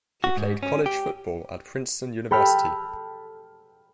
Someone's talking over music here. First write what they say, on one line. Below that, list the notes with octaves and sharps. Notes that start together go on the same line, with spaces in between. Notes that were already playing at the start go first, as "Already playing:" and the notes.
He played college football at Princeton University.
F#4
G#2
C#4
G4
A4 G5 B5 E6 F6